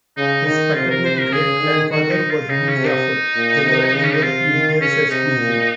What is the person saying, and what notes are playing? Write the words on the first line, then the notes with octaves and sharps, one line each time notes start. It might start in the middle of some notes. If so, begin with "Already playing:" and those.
His paternal great-grandfather was Mir Jafar, generally known to Indians as a quisling.
C#3 D#4
D#3 D#4
C3 F4
A#4
C5
A#4
C#3 G#4
D#3
D#3 F#4
D#4
F4
C#3 D#4
C#4
C3
D#4
A#2
C3
C#3
C#4
D#4
C3 F4
D#3
C#3 C#4
C3 D#4
A#2